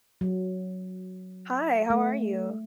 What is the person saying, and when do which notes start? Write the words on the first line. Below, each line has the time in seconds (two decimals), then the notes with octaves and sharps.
Hi, how are you?
0.21 F#3
1.90 A3